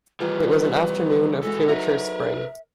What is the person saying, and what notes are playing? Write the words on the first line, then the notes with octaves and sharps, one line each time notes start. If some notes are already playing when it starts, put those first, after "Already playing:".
It was an afternoon of premature spring.
D#3 E3 G3 F4 G#4 B4
B1 E3 G#3 F#4 A4
F#3 D#4 F#4 A#4 B4 E5